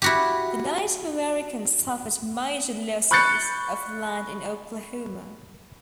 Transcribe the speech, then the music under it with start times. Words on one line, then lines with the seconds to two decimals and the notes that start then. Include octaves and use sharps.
The Native Americans suffered major losses of land in Oklahoma.
0.02 E4 F#4 G4
3.11 B5 C#6 F#6 G6 A6 C#7